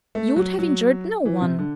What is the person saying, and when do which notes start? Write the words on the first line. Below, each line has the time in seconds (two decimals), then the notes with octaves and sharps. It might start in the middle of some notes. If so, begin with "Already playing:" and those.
You would have injured no one.'
0.15 A3
0.36 F#3
0.59 F#3
1.25 E3
1.41 C3
1.59 D3